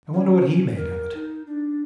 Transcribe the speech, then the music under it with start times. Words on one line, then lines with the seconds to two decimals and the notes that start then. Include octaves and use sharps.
I wonder what he made of it?
0.14 C#4
0.77 A#4
1.15 D#4
1.47 D4